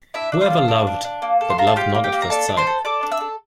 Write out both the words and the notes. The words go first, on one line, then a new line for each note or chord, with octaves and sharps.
Who ever loved that loved not at first sight?
D4 E4 E5
D4 E5
F4 F5
A4
D4
D4
D4
A#3
A4
C6
F4 A#5
A5
F4 G4 G5
A#3
G4 G5
A#3
A#5
D4 A4 A5
D4
C5 C6
A4
A4 D5 D6
D4
E5 E6
A4